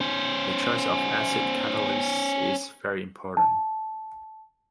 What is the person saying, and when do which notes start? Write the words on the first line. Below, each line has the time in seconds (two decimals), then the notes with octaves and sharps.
The choice of acid catalyst is very important.
0.01 C#4 C5
3.37 A5